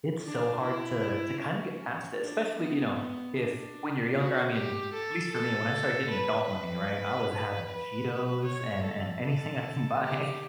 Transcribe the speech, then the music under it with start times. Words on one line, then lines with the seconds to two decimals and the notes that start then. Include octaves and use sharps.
It's so hard to to kind of get past it, especially, you know, if when you're younger I mean, at least for me, when I started getting adult money, right, I was having Cheetos and and anything I can buy,
0.25 D4
0.63 E4
1.41 C#4
2.20 D4
2.58 B3
3.37 D4
4.15 F#4
4.54 G4
4.93 A4
5.33 A4
6.10 B4
6.49 B4
7.67 B4
8.45 C#5
8.84 A4
9.23 A4
10.01 G4